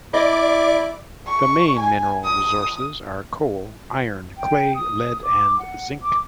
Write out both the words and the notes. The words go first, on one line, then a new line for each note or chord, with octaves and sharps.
The main mineral resources are coal, iron, clay, lead and zinc.
E4 D5 D#5 D6
C#6
G#5
D#6
G5
D#6
D6
F#5
D6